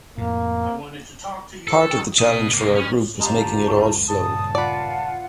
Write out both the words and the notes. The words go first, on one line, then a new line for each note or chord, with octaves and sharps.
Part of the challenge for our group was making it all flow.
F2 A2 A#3
A4
B2 D#5
C2 A#3
C#4
G1 C#2 F#2 F4 G4 A5 A#5
G2 A#2 C#3 A5 D#6
F4 B4 D5 F#5